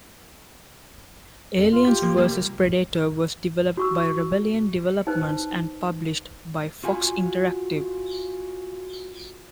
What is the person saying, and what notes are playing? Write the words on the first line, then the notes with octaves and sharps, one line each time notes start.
"Aliens versus Predator" was developed by Rebellion Developments and published by Fox Interactive.
F2
F4
F4 G4
F3 A#3
C3 G3 A#3
F#4 C#6 E6
D#4 B4 C5
F4 F#4 G#5